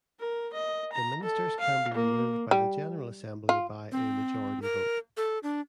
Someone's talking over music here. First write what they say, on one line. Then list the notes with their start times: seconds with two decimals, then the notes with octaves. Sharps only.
The ministers can be removed by the General Assembly by a majority vote.
0.20 A#4
0.53 D#5
0.92 A#5
1.23 A4
1.60 F5
1.94 A#3
2.51 G3
3.49 F4
3.92 C4
4.62 A#4
5.17 A4
5.43 D4